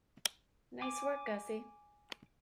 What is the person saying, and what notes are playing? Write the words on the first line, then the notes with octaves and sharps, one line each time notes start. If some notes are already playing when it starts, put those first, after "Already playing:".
Nice work, Gussie.
G#5 D6